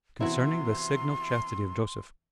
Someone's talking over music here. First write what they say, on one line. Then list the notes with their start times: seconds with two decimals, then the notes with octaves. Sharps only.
Concerning The Signal Chastity Of Joseph.
0.21 C3 E3 B3 E4 F#4 C6